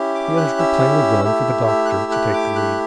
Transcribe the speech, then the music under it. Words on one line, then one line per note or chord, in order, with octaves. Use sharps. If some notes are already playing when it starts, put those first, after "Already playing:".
The others were plainly willing for the doctor to take the lead.
Already playing: C#4 E4 G4
D6
F#6
E6
A3 E4 G4
E6
F#6
E6
F#6
D6
F#6